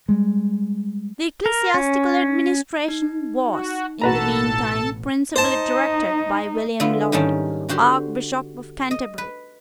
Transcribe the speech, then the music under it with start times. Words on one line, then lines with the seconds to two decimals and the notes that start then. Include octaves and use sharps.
The ecclesiastical administration was, in the meantime, principally directed by William Laud, Archbishop of Canterbury.
0.08 G3 G#3
1.46 A#4
1.74 C#4
2.88 D#4
3.45 F#4
4.01 A1 B2 F#4 A4 B4 A5 A#5
5.36 D#4 C5 A5
6.80 D3 B3 E4 F4
7.12 G#2 D#3 G3 C#4 A5
7.69 D3 F#4 G4 C5
8.91 D#5
9.18 B4